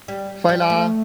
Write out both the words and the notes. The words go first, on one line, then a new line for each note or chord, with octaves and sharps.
Fight Lah!
G3
G3
A3